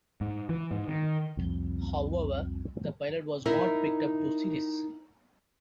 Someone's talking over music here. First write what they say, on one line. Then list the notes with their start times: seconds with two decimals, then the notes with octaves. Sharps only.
However, the pilot was not picked up to series.
0.21 G#2
0.49 E3
0.71 G#2
0.88 D#3
1.37 C2 F2
3.45 D#4 E4 A#4 E5